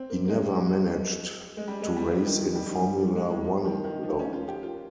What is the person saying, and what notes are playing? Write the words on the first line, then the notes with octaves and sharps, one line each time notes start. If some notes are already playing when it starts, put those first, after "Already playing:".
He never managed to race in Formula One though.
Already playing: C4
A#3
A#3
G#3
G#3
G3
G#3
G3
F3
D#3
F3
G3
F3
F3
G#3
G#3
F3
D#3
D#3
F3
C#4
F4
G4
F4